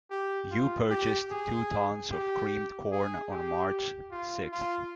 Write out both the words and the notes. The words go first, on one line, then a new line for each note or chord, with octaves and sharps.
You purchased two tons of creamed corn on March sixth.
G4
F4
G4
G#4
G4
G#4
G4
F4
F4